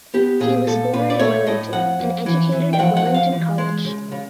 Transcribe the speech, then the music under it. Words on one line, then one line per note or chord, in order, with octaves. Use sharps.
He was born in Wellington and educated at Wellington College.
B3 G4
A#2 G#4
A#2 A4
A#2 B4
D5
A3 C#5
A2 D#5
F2 F#5
F2
E3
E3
G5
F3 F#5
F#5
F3
F5
E3
G#3
C#3
C#3